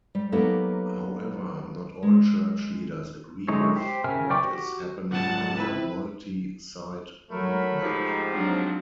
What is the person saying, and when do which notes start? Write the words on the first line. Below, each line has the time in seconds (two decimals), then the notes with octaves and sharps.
However, not all church leaders agree with what is happening in the multi-site movement.
0.15 G3
0.32 F#3 A#3 B3 D#4 G4 A4
2.03 G#3
3.48 D3 G#3 D#4 E4 C#5
3.76 G4 C5
4.04 C#3 A#4 E5 G#5 F6
4.30 C5 D5 G5 C#6 D6
4.44 F#4 G4
5.12 C#2 G#2 F#5 A5
5.58 C4 E4 B4
7.31 F#3 A3 A#4 B5
7.82 G#2 F3 D#4 G4
8.32 F#3 C4 D4